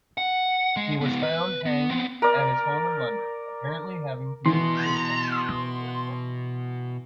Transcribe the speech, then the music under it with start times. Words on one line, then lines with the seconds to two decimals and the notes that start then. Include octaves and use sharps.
He was found hanged at his home in London, apparently having committed suicide.
0.18 F#5
0.77 G#3
1.01 C#2 B3
1.23 B4
1.66 B3
1.90 B3 C4
2.22 A#4 D5
4.46 B2 E3 B3 C6